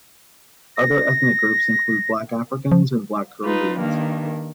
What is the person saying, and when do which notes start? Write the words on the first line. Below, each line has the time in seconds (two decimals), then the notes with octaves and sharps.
Other ethnic groups include Black Africans and Black Caribbeans.
0.77 A#6
2.72 F3
3.43 D#4 F4 B4
3.77 G2 D#3 A#3